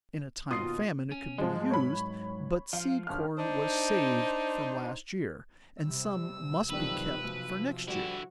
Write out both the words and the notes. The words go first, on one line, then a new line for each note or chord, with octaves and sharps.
In a time of famine it could be used, but seed-corn was saved from last year, and some must be kept for next year.
D#2 B2 F4 D#6 C7
C#4
G#2 F3 F#3 G#3
C#5 B5
F3 F5
G1 F6
D4 D#4 C5
C3 G3 E6
F#1 B1 C3 D#3 F3 G3 B4
B1 C3 F3
D3 G3 E4 F#4